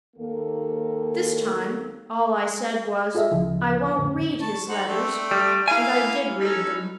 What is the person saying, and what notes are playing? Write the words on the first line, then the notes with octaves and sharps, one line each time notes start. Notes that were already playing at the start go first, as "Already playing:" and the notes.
This, time, all I said was, 'I won't read his letters!' And I did read them.
D#2 A#3 A4
F4 G#4 A4 D#5 E5
D2 C#3 F3 E4
F2 A2 D3 C#4
A5 C#6
D#4 C5 F#5
A3 C4 D4
G3
A#3 E4 F5 G#5
C#4 D#4 A4